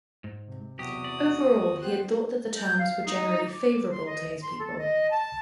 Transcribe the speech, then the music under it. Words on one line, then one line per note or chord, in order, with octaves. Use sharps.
Overall, he had thought that the terms were generally favourable to his people.
G#2
C3
B1 E2 F#4 G4 D#6
D5
B3 G4 C5 F#6
G6
F5
D#4
D6
C6
D#5
C6
A4
D#5
A5